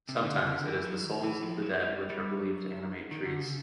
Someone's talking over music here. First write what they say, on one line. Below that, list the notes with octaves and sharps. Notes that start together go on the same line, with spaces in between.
Sometimes it is the souls of the dead which are believed to animate trees.
C3
D3
C#3
D3
E3
F#3
D#3
E3
F3
F#3
G3
G3
F#3
D#3
D3
C#3